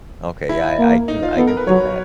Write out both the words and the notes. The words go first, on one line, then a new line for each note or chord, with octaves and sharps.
okay, yeah, I I can I can see that.
E4
A#3
D#4
F4
B3 A4
A#4
B4
F#3 C#5